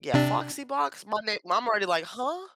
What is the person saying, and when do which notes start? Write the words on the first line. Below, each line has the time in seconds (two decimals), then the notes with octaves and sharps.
Yeah, Foxy Box, my nam I'm already like, huh?
0.14 C3 D4